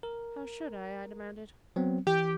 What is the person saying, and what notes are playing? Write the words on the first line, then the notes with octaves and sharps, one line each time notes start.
"How should I?" I demanded.
A#4
F#3 B3 C4
E3 G4